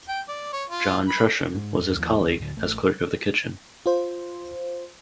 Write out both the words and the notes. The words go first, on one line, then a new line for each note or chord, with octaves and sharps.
John Tresham was his colleague as clerk of the kitchen.
G5
D5
C#5
F4
B5
G#2 G#3
F2 F#3
D#2 F3 A3 A#3
A1 D#2 E3
D2 A2 D3
A1 A3
F4 C5